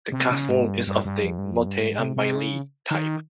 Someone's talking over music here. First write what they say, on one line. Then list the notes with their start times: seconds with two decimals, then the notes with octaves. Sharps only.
The castle is of the "motte and bailey" type.
0.12 C3
0.31 C#3
0.49 G#2
0.68 G2
0.87 G2
1.05 G2
1.23 F2
1.38 G2
1.51 F2
1.66 G2
1.79 G#2
1.99 C3
2.16 C3
2.36 C#3
2.91 D#3